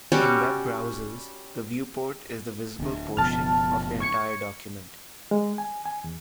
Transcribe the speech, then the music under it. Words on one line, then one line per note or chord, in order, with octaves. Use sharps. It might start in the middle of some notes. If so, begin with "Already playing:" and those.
In web browsers, the viewport is the visible portion of the entire document.
G3 C#4 F#4 D5
D1 D3
F#1 B2 F3 A5 F6
C#6 G#6 C#7
G#3
G#5
G#5
E2